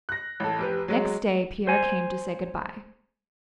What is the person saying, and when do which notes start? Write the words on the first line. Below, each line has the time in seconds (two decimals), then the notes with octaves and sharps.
Next day Pierre came to say good-by.
0.09 F#6 A#6
0.40 A1 A4
0.59 F1 G4 B4
0.88 F#3 G#3
1.67 C5 G#5